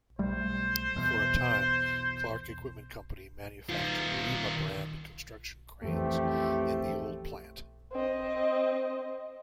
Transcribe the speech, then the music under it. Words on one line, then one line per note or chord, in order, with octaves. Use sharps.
For a time, Clark Equipment Company manufactured Lima-brand construction cranes in the old plant.
B1 G3 A3 C5
E2 B2
D#3 F4
F2 E3 A3 C4 G4
C4 D#5